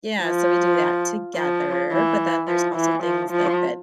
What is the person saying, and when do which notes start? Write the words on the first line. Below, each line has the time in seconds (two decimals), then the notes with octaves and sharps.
yeah, so we do that together, but then there's also things, like, that
0.23 F3
1.36 F3
1.92 E3
2.47 F3
2.76 E3
3.03 F3
3.31 F3